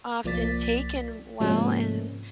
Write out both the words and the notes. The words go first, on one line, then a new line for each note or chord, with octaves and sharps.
often taken well, and
C2 F3 A#3 D5 A6 B6
G#2 C3 F3 G#3 A#3 C#4